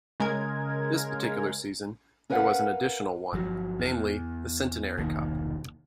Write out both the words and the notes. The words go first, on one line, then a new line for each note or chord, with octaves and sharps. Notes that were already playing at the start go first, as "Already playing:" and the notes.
This particular season there was an additional one, namely the Centenary Cup.
C#3 G#3 A#4 G#6
C#4 A#4 B4 F5 F#5
G1 F3 F#3
E2
E1 C2 D#3 A#3